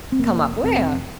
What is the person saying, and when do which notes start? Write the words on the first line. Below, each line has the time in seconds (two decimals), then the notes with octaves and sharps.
"Come up where?"
0.12 C4
0.19 F1 A#3
0.63 F1 C4